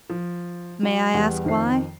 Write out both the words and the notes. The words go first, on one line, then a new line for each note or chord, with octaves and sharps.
"May I ask why?"
F3
F#3
E2 G3 B3
F2 D#3 C5 C7